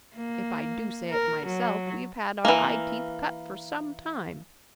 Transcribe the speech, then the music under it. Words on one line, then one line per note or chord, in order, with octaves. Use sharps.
If I do say it myself, we've had our eyeteeth cut for some time.
A#3
A#4
F#3
E3 A#3